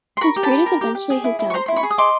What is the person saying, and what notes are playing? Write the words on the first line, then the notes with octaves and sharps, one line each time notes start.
His greed is eventually his downfall.
C6
A#4 B5 C#6
G4
A5 B5
G4
A#4
G4
G4
G#4
E4
E4
C#6
C5 A#5 C6
E4 C6
B5 C#6
G#4
D#6
D#5 C6 D6